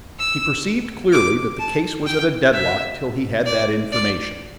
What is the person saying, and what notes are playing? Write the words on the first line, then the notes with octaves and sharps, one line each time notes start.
He perceived clearly that the case was at a deadlock till he had that information.
E6
D6
A5
G5
E5
D5
D5